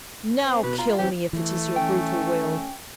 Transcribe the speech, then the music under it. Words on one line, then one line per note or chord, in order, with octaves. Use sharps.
'Now kill me, if it is your brutal will.
C4
B2 B4
F4 A#5
E3 F#3 C4 G4
E3 A3
C#4 G5